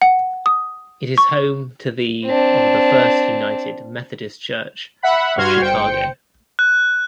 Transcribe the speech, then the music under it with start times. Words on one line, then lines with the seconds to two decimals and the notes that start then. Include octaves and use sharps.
It is home to the of the First United Methodist Church of Chicago.
0.02 F#5
0.46 D#6
1.18 C#6
2.25 C4 D4
5.02 E5 F#5 B5
5.37 G2 F#4 C6 F6 G#6
5.61 G1 C5 G5 C#7
6.59 F#6